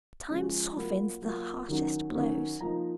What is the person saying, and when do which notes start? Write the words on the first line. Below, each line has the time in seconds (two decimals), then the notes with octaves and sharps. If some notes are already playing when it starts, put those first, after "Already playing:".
'Time softens the harshest blows.
0.30 F3 G#3 C#4 F4
0.76 F#3 A#3 F4 B5
1.22 F#3 A#3 F4
1.69 D#3 F#3 C#4
2.15 D#3 F#3 C#4
2.61 F3 A#3 D#4 A#5